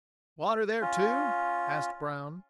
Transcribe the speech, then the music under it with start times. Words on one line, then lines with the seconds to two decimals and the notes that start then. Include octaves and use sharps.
"Water there, too?" asked Brown.
0.82 C#4 F4